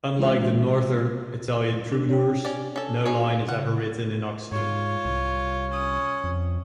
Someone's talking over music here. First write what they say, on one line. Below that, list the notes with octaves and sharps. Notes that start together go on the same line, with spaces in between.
Unlike the Northern Italian troubadours, no line is ever written in Occitan.
E3 G#3 D4 F4 C5
D4
C#5 G5
C#4 D5
C#4 A4
D#4 G#4 C#5
C#3 F#5
G#2 F4 C#5
C2
C#4 D#6
F2